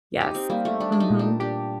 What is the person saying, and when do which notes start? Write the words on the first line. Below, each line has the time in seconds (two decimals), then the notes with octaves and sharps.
Yes. Mhm.
0.20 D#4 G4
0.35 C4
0.50 G3 A#3
0.65 A3
0.80 G3 D4
0.92 D4
1.00 D#4
1.10 A#2
1.19 D4
1.40 D4 G4